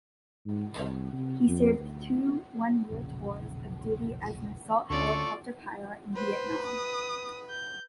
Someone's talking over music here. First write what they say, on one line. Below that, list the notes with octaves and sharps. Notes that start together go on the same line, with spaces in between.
He served two one-year tours of duty as an assault helicopter pilot in Vietnam.
G#2
C2
C3
F2
D2
E1 A#1 C#3
D2 C#4 F4 A4 D5 C#6
B4 C5
D#6
G6